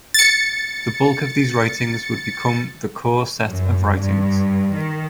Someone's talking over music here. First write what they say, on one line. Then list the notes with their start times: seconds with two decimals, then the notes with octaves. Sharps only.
The bulk of these writings would become the "core set of writings".
0.14 A6 C#7
3.47 F#2
3.95 G2
4.73 D#3